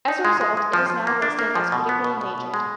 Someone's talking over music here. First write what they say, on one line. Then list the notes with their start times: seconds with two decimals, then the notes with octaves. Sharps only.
As a result it is now listed as critically endangered.
0.08 D#4
0.25 G#3
0.41 G#3
0.57 G#3
0.73 F3
0.90 F3
1.07 A#3
1.22 D4
1.39 A#3
1.55 F3
1.72 B2
1.89 B3
2.04 B2
2.21 B2
2.38 B2
2.54 G#3